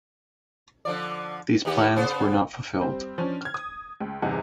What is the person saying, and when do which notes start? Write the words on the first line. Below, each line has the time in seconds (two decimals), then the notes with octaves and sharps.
These plans were not fulfilled.
0.85 D3 F3 D5
1.65 D#2 B3 G4
1.96 C#3 B3 C5
2.81 G3 C4
3.18 F3 C#4 D4
3.41 F6 G#6
3.54 D#6
4.01 C#2
4.22 G1 E2 C3 D#4 F#5